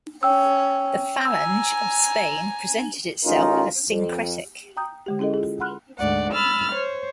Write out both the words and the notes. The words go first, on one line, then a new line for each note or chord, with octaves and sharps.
The Falange of Spain presented itself as syncretic.
C#4 G5 E6
G#5 A#5 E6
A1 C#4 D#4 F4 A#4
F2
G5 A#5 D#6 G6
D3 G#3 G4
C#4 E4 G#4 A4 D#5
F4 G#4
F#5 B5 C6 F6 F#6
D2 G#2 D5 F#5
B5 E6 F6 A6
C5 C#5